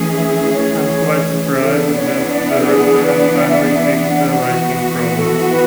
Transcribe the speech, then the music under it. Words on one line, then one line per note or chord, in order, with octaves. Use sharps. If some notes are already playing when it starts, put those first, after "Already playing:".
I am quite surprised that the restaurant finally fixed the lighting problem.
Already playing: E3 A3 C#4 G#4
E5
C#5
E3 B3 D4 A4
C#5
D5
E5
A4
G#4
G#4
B4
D5
E5
D5
E5
F#5
E3 B3 F#4
B4
A4
B4